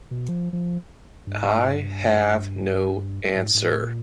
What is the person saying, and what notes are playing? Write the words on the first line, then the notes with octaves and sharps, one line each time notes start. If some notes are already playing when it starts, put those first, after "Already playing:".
I have no answer.
B2
F3
F3
G2
G#2
G2
G#2
G#2
A2
A#2